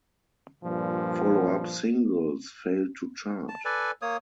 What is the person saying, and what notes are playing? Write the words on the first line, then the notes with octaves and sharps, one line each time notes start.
Follow-up singles failed to chart.
G2 A#2 F3
A5
A4 B4 D5 G#5
A#3 C#5 D#6